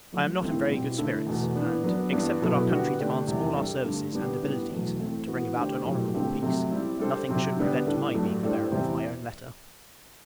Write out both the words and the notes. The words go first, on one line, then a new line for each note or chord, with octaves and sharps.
I am not in very good spirits; and, except that our country demands all our services and abilities, to bring about an honourable peace, nothing should prevent my being the bearer of my own letter.
F#2 F#3 A3
G2 E3 A3 C4 E4
B2 G3 C4 E4
D3 A3 E4 A4
E2 B2 A3
E3 B3 D4
F#3 B3 D4
G2 E3 B3 D4
B2 F#3 B3 E4 A4
D3 G3 B3 F#4
D3 A3 D4 G4
E2 C3 G3
G3 D4 A4 D5
G2 D3 A3
D3 G3 B3 D4 G4
A2 G3 B3 D4
E2 B2 F#3 A3
E3 A3 C4
E3 B3 F#4
D3 A3 D4 G4 C5
B2 F#3 A3 E4 G4
G2 D3 A3 C4 G4
C3 F#3 A3 C4
G3 C4 E4
G3 D4 A4 C5
C3 F#3 C4
D3 G3 B3 D4
A2 G3 D4 A4
G2 F#3 A3 D4
A2 G3 D4 A4 C5
E2 C3 G3 C4 E4